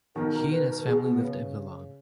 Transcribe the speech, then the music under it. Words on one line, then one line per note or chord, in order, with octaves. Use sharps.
He and his family lived in Milan.
B2 D#3 A#4
A#4
B4
A#4
B2 G#4
B3
C#3